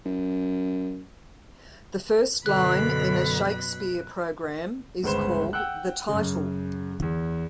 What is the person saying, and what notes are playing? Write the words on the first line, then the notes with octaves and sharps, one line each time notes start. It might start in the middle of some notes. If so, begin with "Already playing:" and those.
The first line in a Shakespeare program is called the 'title'.
F#2
F#2 B2 D3 B5 F#6
G1 C#2 B4 C5 E7
F#5 G5 E6 F#6
F#2 C#3
E2